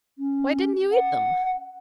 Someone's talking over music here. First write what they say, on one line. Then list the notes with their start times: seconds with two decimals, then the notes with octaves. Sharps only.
"Why didn't you eat them?"
0.18 C#4
0.92 F#5